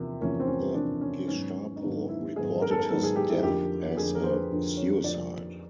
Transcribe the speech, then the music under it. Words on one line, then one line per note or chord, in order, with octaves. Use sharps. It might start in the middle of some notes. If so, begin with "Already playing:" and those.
The Gestapo reported his death as a suicide.
Already playing: E2 C3 F3 A#3
E2 C3 F3 A#3 C#4
C4
C#4
E2 C3 F3 A#3 D4
C#4
G#2 D#3 F#3 B3 C#4
D#4
G#2 D#3 F#3 B3 D4
E4
G#2 D#3 F#3 B3 G#4
A#4
A4
A#4
G#2 D#3 F#3 B3 A4
G#4
G4
E4
F2 D3 F3 A#3 G4
F2 D3 F3 A#3 G#4
A#4
C5
B4
F2 D3 F3 A#3
C#5
F2 D3 F3 A#3 D5